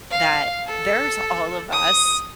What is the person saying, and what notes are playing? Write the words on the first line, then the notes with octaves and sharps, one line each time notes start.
that there's all of us
F5
A4
D#6